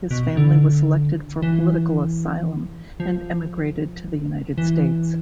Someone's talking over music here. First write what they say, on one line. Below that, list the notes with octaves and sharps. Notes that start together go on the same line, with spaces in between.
His family was selected for political asylum and emigrated to the United States.
B2
D3
E3
F3
E3